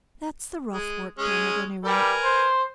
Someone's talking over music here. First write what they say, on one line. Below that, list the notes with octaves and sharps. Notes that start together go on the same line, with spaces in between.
"That's the rough work done, at any rate."
G#3
G#3 C#4
G3 A#4 B4 G#5
C5